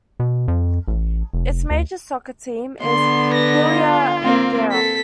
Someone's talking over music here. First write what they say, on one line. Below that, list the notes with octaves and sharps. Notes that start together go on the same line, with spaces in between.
Its major soccer team is Thyella Aigeira.
B2
F2
A1
F1
D2
D3 B3 C6
B4 A#6
F4
A#3 C4
A4 B6